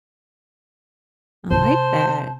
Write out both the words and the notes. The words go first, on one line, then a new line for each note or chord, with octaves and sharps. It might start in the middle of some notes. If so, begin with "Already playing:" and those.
I like that.
C3 C5 A5